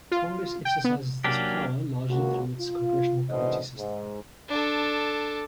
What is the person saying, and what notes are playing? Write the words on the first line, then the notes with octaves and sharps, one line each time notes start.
Congress exercises this power largely through its congressional committee system.
F4
G5
B3
F#3 A#3 C#4 D4 G4
C#2 A#3 F#4
F4
G#1 B2 D3 E3 C5 D#5
G#2
D4 A4